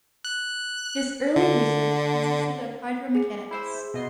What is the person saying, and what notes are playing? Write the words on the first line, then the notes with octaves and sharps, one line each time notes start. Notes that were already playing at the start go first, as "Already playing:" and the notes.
His early research consisted of hydromechanics.
F#6
D3
G#4
E4 C5 E5
B2 D#5 C6